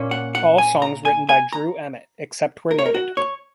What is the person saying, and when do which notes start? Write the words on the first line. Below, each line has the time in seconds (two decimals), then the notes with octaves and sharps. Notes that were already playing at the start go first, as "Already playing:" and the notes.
All songs written by Drew Emmitt, except where noted.
Already playing: A#2 A#3 C#4
0.11 F#5
0.35 F#5
0.58 G#5
0.82 A#5
1.05 G#5
1.29 G#5
1.53 A#5
2.71 A#4
2.79 C#5
2.86 A#4
2.95 F#4
3.17 C#5